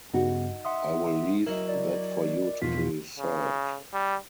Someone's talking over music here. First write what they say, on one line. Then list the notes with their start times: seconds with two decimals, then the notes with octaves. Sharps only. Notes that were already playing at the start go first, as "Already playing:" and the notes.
I will leave that for you to decide.
0.14 G2 C#3 B3 D#4 F#4
0.65 E5 F#5 C6 D#6
1.47 F#3 E4 A#4 D#5
1.68 D5
2.62 E2 B2 F3 F4 B6
3.19 C#3
3.93 G3